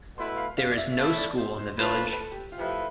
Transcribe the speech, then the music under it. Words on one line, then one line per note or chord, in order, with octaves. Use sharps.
There is no school in the village.
B2 A3 E4 B4 C6
F5
F5
D5
E5
E5
A3 E4 A4 F5
D5
C5
C5
A3 D4 F4 B4 C5
A4
B4
A4
G4
F4
F3 A3 E4 G4 B4